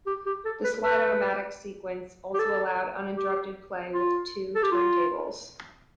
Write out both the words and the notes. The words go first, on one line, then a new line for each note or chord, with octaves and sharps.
The slide-automatic sequence also allowed uninterrupted play with two turntables.
G4
G4
A4
B4
B4
G4
A4
G4
F4
A4
G4
F4